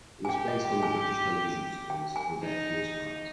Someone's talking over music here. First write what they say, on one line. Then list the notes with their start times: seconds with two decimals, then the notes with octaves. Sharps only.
It was based on the British television series Till Death Us Do Part.
0.25 G#5
0.29 G4 G5
0.48 D#5
0.65 G5
0.83 G#5
1.90 G5
2.16 G#5
2.42 D#4